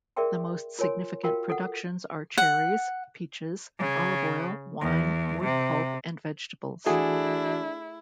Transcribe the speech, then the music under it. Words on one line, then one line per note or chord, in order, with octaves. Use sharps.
The most significant productions are cherries, peaches, olive oil, wine, wood pulp and vegetables.
G#4 A#4 D5 E5 G5 C6
F4 A#4 C#5 G#5 C6
F4 F#4 A#4 F5 G5
A4 F#5
F#5
C#3
E2
C3
E3 A3 D4 E4 F#4 G#4